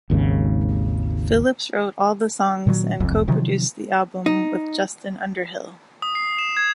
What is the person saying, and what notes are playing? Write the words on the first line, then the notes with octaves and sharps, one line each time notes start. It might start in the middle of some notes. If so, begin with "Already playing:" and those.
Phillips wrote all the songs and co-produced the album with Justin Underhill.
G#1 D#2 G#2 C#3
A#2 D#3 F3 F#3
E1 C2 F2
C3 D#3 F3 F#3
D#4
D#6
C7
E7
G#6